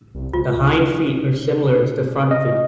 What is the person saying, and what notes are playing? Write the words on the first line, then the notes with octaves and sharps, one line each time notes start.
The hind feet are similar to the front feet.
C2
C#2 F4
D4
D#5